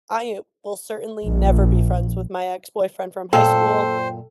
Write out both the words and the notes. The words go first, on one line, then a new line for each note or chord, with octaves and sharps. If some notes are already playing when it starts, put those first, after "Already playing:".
I will certainly never be friends with my ex-boyfriend from high school.
A#1
F#2 A#2 A4 C5 F5 G5